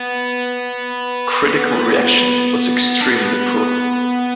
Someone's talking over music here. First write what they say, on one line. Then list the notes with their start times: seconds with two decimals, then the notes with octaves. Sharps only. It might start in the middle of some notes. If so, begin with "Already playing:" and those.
Critical reaction was extremely poor.
Already playing: B3
1.48 B3
3.01 D4
3.09 B3